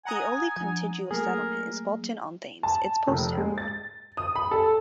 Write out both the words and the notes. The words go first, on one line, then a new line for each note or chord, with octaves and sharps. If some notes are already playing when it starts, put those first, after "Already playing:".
The only contiguous settlement is Walton-on-Thames, its post town.
F#5 G#5 A#5 D#6
F3 D4
F#3 A3 A#3 G#4 A#4
A5
F1
G#3
A6
D#6
B5
A4